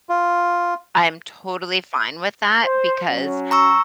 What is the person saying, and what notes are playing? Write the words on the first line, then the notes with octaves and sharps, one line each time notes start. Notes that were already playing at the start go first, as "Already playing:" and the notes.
I'm totally fine with that because
F4
C5
F#3 C#4
A#5 C#6 E6